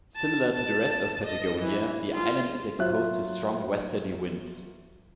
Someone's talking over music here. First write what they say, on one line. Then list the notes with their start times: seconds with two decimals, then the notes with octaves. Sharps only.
Similar to the rest of Patagonia, the island is exposed to strong westerly winds.
0.16 A5
0.54 A5
1.24 D#5
1.62 E3
2.13 F4
2.79 F#3 F4 C5 E5 F#6